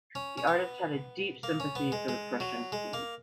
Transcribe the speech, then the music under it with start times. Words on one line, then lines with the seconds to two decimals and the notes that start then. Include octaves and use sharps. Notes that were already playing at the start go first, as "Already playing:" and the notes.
The artist had a deep sympathy for the Prussian king.
0.15 C#4
0.38 C#4
0.47 B3
1.43 A#3
1.60 C#4
1.75 B3
1.92 G#3
2.08 G#3
2.40 F#3
2.72 G#3
2.93 A#3